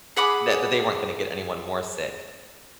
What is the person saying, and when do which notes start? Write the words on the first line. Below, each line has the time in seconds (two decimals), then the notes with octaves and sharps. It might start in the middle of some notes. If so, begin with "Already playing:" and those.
th that they weren't gonna get anyone more sick.
0.17 G#4 F#5 B5 D6